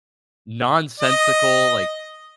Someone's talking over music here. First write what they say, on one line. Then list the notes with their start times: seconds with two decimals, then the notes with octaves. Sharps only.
nonsensical, like
1.00 D#5